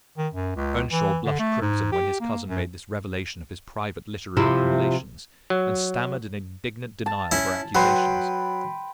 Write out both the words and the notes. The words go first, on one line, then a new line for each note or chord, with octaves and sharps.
Earnshaw blushed crimson when his cousin made this revelation of his private literary accumulations, and stammered an indignant denial of her accusations.
D#3
F#2
C#2
E3
D3
A3
G#2
G4
A#3
F#2
C3 F3 E4
F#3
A5
C#4 E4
F#3 B4 G5 C6